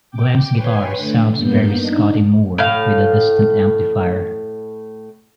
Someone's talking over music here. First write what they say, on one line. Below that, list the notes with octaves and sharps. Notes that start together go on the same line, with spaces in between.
Glenn's guitar sounds very Scotty Moore, with a distant amplifier.
G5 D6
B4 C#5 G5 G#5 C6
D3 A3
G2 A#3 B3 G6
D4 D#4
A2 F5